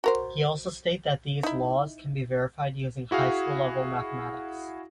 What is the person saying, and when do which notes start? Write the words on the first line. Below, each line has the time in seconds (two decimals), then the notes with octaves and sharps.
He also states that these laws can be verified using high-school level mathematics.
0.04 F#4 A#4 C5
1.43 D#4 E4
3.11 E4 F#4 G#4 F5